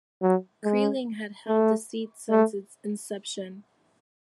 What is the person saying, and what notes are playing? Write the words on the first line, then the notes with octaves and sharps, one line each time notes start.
Kreling had held the seat since its inception.
F#3
G#3
A3
A3